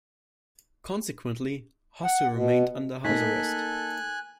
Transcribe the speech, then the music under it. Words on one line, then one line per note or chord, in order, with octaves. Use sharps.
Consequently, Hossu remained under house arrest.
F#5
B2
A#3 D#4 A4 G#5 F#6 B6